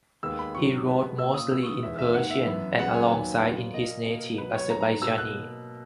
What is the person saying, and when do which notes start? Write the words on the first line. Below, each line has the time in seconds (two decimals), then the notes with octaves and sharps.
He wrote mostly in Persian and alongside his native Azerbaijani.
0.23 D#2 D#3 G#3 B3 E6
0.39 B5
0.55 G#2 D#3 F#3 C#6
0.87 B2 G#3 B3
1.19 A#2 A#3 E6
1.34 D#6
1.50 B2 G#3 B3 E6
1.63 C#6
1.66 D#6
1.83 E2 D#3 G#3 E5
1.99 E5
2.14 G#2 D#3 A#3 F#5
2.31 E5
2.47 F#2 E3 B3
2.78 F#2 C#3 G#3 B3 F#5
2.94 G#5
3.10 D#2 D#3 F#3 B3
3.42 A#2 F#3 B3
3.74 A#2 A#3 D#5
4.06 B2 A#3
4.38 B2 F#3 B3 B4
4.54 C#5
4.70 G#2 F#3 B3 A#5
4.81 A#5
5.02 B2 A#3 E6
5.18 F#6